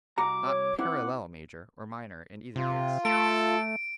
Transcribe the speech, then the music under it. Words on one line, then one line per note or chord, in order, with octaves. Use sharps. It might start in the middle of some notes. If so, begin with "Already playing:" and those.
Not "parallel" major or minor in either case.
C2 F#4 A#5 D6
C#5
C4 E4 F#5 D6
C3 F4
A3 A4 D7